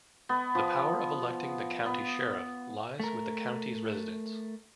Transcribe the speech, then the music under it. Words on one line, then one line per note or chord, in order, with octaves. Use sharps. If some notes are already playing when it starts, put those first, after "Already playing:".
The power of electing the county's sheriff lies with the county's residents.
B3
F3
B3
A3 A#4